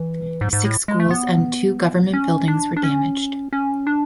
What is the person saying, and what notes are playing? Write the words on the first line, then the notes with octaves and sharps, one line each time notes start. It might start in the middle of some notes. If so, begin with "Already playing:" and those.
Six schools and two government buildings were damaged.
Already playing: E3
G#2
G#2
A2
G#3
A3
B3
C#4
D4
D4
C#4
C#4
D4